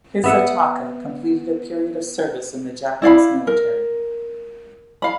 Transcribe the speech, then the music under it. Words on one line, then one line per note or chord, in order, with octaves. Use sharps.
Hisataka completed a period of service in the Japanese military.
B3 E5 F#5
E4 D5 F5 B5
A#4
F5 B5